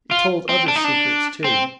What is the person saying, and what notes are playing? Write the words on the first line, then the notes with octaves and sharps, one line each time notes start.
It told other secrets too.
F4
C4
D4
D#4
D4
C4